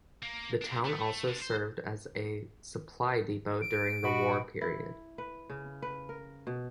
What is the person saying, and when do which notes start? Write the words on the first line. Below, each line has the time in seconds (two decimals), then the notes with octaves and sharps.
The town also served as a supply depot during the war period.
0.23 A#3
0.62 A#3 D4
0.85 A3
1.28 G#3 D4
1.42 C5
3.62 D7
4.04 A#2 F#4 D#5 B5
4.61 E4
5.18 B4
5.50 C#3
5.82 B4
6.09 A#4
6.47 B2